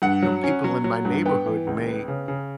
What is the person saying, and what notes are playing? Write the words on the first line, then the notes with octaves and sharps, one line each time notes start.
you know, people in my neighborhood may
G2 F#5
F#3
C#4
F#3
F#3
G2
B3 G5
E3
C#2
B3
C#3
C#3